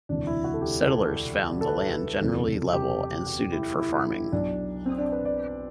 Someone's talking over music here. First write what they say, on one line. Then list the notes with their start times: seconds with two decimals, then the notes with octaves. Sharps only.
Settlers found the land generally level and suited for farming.
0.09 E1 D2 C3 E3 D4
0.27 E4
0.44 F#4
0.54 A4
0.61 G4
0.88 A4
1.61 A4
1.67 B4
2.20 F#1 E2 C3 A4
2.73 G4
3.26 F#4
3.52 E4
3.79 E4
4.32 B1 B2 D4
4.86 C4
4.98 D4
5.12 B4
5.25 D5